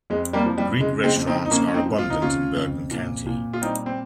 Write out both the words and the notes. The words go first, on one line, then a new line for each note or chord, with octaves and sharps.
Greek restaurants are abundant in Bergen County.
F2 G#3
G3 A#3
F3
G3
C#3 G#3
G#3 C4
F2
C4 D#4
D#4
F2 A#3 C#4
C#4
C4 D#4
F3
F4
D#4
C#3 C#4 F4
F2
A#2
A#2
F4
G3 C4 D#4
C4